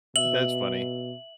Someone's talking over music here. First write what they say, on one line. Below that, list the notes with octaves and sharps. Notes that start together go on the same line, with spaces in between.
That's funny.
B2 E5 F#7